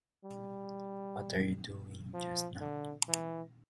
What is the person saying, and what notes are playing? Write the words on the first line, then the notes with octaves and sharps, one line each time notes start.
What are you doing just now?
G3
F3
D3
E3